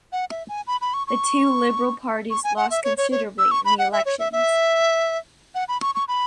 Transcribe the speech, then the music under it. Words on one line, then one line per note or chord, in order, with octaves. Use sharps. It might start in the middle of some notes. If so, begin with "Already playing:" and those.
The two liberal parties lost considerably in the elections.
F#5
E5
G#5
B5
B5
C#6
C#6
C#6
G#5
F#5
E5
C#5
C#5
C#5
E6
C#6
B5
F#5
E5
C#5
E5
E5
F#5
B5
C#6
C#6
B5